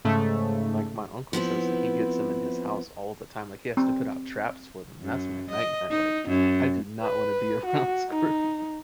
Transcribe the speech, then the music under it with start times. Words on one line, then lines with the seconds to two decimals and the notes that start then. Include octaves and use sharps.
like, my uncle says that he gets 'em in his house all the time, like, he has to put out traps for them, and that's my nightmare, like, I do not want to be around scorpion.
0.05 G#2 C#3 A3
1.33 F3 B3 C4 E4
3.77 C4
5.02 F#2
5.50 D#5
5.90 D#4
6.29 F#2
7.00 B4
7.65 F#4
8.10 D#4